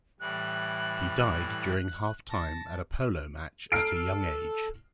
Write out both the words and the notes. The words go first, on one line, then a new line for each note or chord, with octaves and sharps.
He died during half time at a polo match at a young age.
A2 E3 G3 F#6
A5 A#6
A4 F6 C7 D7